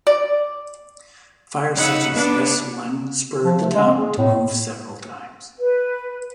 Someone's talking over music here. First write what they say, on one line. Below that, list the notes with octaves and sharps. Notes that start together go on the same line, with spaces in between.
Fires such as this one spurred the town to move several times.
D5
C#3 D#4 F#5 B5 E6
B3 D4
F3
A3
G#3
C4
G#4
A2
B4